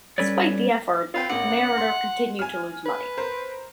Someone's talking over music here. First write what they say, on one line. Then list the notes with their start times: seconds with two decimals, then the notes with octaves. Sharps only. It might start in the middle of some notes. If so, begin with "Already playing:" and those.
Despite the effort, Meritor continued to lose money.
0.18 G3 C#4 A4 B4 C#5 D5
1.14 C4 F4 B4 G5
1.30 A1 A#3 F#5
1.78 C6
2.39 G#5 F6
2.86 B4
3.17 A#4 C5